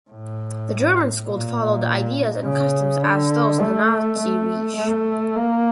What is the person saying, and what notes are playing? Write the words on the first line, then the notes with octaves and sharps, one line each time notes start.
The German school followed ideas and customs as those in Nazi Reich.
A2
A#2
C#3
D3
A3
A3
A3
A#3